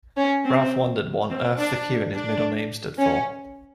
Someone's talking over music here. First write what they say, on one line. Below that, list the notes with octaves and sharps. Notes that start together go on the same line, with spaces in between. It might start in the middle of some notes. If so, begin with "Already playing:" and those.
Ralph wondered what on earth the Q in his middle name stood for.
C#4
C4
C4
D4
D4
C#4